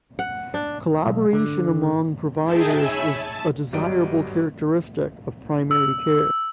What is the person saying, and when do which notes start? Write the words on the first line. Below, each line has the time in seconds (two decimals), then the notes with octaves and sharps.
Collaboration among providers is a desirable characteristic of primary care.
0.19 F#5
0.54 D4
1.06 B1
1.33 D3
2.42 D#4 G#4 E5 G5 A5
2.75 C#5 E5 G#5 B5 E6
3.10 A5
3.73 G1 F#3 G3 D5 D#5 D7
5.71 E6